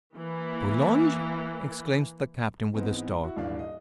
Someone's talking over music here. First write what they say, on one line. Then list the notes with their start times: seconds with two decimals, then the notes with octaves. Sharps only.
"Boulogne!" exclaims the Captain, with a start.
0.16 E3 A#3
2.74 G#2 E3 G#3 B3 C4
3.24 E4 F#4
3.36 D#1 G#1 E3 D4 D5 F5
3.59 D#5